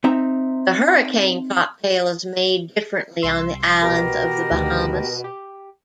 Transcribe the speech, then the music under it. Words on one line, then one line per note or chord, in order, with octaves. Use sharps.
The hurricane cocktail is made differently on the islands of the Bahamas.
C4 D#4 E5 A#5
C2 C6 E6
B2 G4 A#4
D2 D#3
G4